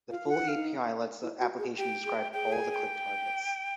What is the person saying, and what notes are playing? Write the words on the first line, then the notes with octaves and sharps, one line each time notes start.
The full API lets the application describe all the click targets.
F4 F5
F4
F#5
E4
D#4 F5
E4
F#4
G#4
G4 G5
G#4
G#4 G5
G#5
G#5
G5